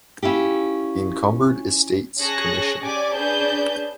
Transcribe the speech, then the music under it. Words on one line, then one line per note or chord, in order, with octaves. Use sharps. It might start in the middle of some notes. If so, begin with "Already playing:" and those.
Incumbered Estates Commission.
C#4 E4 F4 G4
C#4 G#4 A5 C#6 F#6 A#6
C#4 G4 D5 G#5 D6
C#4 D4 G#4 B4 A5 G6